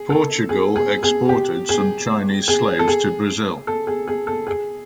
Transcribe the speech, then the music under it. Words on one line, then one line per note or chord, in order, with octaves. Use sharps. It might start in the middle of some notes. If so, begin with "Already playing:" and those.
Portugal exported some Chinese slaves to Brazil.
Already playing: G#4
A4
G#4
G#4
G#4
G4
G#4
G#4
A4
G#4
A4
G#4
G#4
A4
G#4